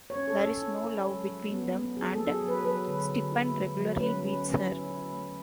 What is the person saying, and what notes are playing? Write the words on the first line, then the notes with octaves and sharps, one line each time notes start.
There is no love between them and Stepan regularly beats her.
C#5
C#4
A4
C#4 A4
E4
E4
G#3
F#3
B3
B3
F#3 G#4
A4
F#3
G#4
F#3
B4
F#3 B4
D3
D3
E4
A3
F#3
C#4 B4
C#4
C#4
E4
E4
A3